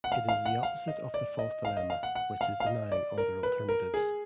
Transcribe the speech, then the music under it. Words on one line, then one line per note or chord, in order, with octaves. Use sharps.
It is the opposite of the false dilemma, which is denying other alternatives.
F#5
F5
F5
F#5
F5
D#5
D5
D#5
F5
D#5
F5
F#5
F#5
F5
F5
D#5
D5
A#4
B4
A#4
G#4